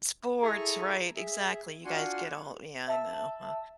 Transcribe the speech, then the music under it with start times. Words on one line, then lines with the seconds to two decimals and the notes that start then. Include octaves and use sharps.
Sports, right. Exactly. You guys get all, yeah, I know, huh,
0.42 E4 G#4 A4 G#5 A#5 C#6
1.16 G#4 E5
1.85 D4 F4 F#4 F#5 G#5 C6
2.88 E5 A5 E6